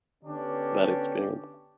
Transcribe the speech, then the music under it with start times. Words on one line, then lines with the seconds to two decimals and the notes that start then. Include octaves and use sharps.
that experience.
0.24 D3 B3 C#4 D4 G4